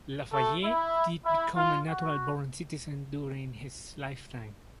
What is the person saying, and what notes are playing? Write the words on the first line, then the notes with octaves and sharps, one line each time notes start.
Lafayette did become a natural-born citizen during his lifetime.
A3 A4
E4
E4
F4
F#4